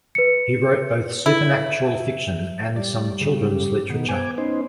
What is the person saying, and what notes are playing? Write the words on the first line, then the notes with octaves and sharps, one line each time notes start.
He wrote both supernatural fiction and some children's literature.
B4 C#7
E4
G3 D5
C#3
G4
B2 D#3 B3
C5 G#5 D6
C#4 D#4 C5